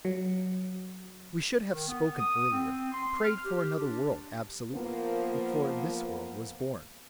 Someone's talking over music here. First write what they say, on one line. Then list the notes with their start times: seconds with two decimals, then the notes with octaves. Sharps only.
We should have spoken earlier, prayed for another world absolutely, before this world was born.
0.05 F#3
1.71 D#3
1.88 B3
2.18 D#6
2.51 C4
2.91 C6
3.22 F6
3.44 G4
3.80 D4
4.72 F3 A#3 B3